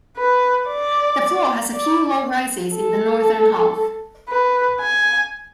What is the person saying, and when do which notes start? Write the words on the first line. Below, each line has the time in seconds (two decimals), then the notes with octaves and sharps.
The floor has a few low rises in the northern half.
0.17 B4
0.69 D5
1.72 D5
2.75 A4
4.29 B4
4.80 G#5